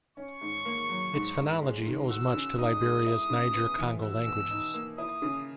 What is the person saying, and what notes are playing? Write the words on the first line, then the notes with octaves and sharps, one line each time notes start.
Its phonology owes much to Liberia's Niger-Congo languages.
C#4 C#6
G#2
A#3
F#3
G#2
G#2
G#3
D#3
F#4 E6
C#3
D#4 D#6
G#3
E4 D#6
C#3
B3
E3
F#4 E6
B2
D#4
A#3
E4 D#6
C#3